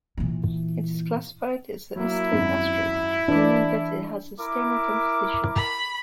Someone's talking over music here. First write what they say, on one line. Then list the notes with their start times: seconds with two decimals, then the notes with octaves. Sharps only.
It is classified as an S-type asteroid, meaning that it has a stony composition.
0.17 A#2 E3
1.96 F#3 A#3 E4
2.32 G#1 F#2
3.28 E3 D4 B4 D5
4.40 E4 A#4 D6
5.56 B5